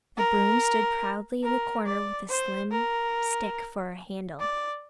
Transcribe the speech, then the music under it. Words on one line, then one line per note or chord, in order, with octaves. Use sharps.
The broom stood proudly in the corner with a slim stick for a handle.
A#4
A#4
D5
C5
A#4
D5